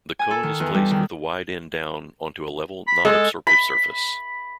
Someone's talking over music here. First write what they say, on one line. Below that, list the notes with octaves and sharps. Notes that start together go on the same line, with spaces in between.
The cone is placed with the wide end down onto a level, non-absorptive surface.
G#5
A4
D#3
E2
G3
D#3
B5
G#3 A4
B5